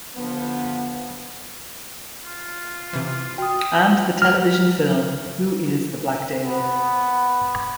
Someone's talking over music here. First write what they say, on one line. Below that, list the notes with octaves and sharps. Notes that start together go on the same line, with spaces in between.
And the television film Who Is the Black Dahlia?
D3 F3 B3
F4
C3 E3
F#4 G5 D#6
F6
B3